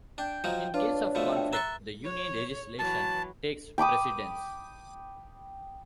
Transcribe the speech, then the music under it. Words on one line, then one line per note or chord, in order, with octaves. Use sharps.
In case of conflict, the Union legislation takes precedence.
D4 G5
F3 F#3 D#4
D4 F4 B4 C#5
B2 F3 A3
E5 G5
E5 A#5 C6 C#6 F#6 A6
C#5
E3 F#3 A5
G5 B5 D6 D#6